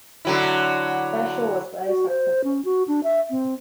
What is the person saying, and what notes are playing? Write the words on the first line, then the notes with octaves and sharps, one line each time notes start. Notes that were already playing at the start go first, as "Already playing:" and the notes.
That show was successful.
D3 F#3 E4
F#4
C5
C#4
F#4
D4
E5
C4